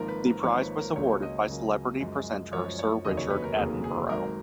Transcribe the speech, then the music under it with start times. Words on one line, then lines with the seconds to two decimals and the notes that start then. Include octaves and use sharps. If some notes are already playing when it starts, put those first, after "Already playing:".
The prize was awarded by celebrity presenter Sir Richard Attenborough.
Already playing: G#1 G#2 F3 A#3 A#4
0.08 B4
0.26 A#4
0.43 G#1 G#2 F3 A#3 C#5
0.60 B4
0.78 A#4
0.96 C#2 C#3 F#3 A#3 C#5
1.22 D#5
1.48 C#2 C#3 F#3 A#3
2.00 F#2 F3 G#3
2.52 F#2 F3 G#3 C#5
2.79 C#5
3.04 F1 D#2 C#3 F#3 A#3 D#5
3.17 C#5
3.30 B4
3.44 A#4
3.57 F1 D#2 C#3 F#3 A#3 G#4
3.84 G#4
4.10 G#1 G#2 F#3 A#4